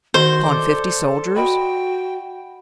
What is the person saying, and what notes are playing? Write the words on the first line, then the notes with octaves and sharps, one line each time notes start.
"Upon fifty soldiers?"
D#3 F#4 C5
A4 D5
F#4 D#5 F#5 G5 B5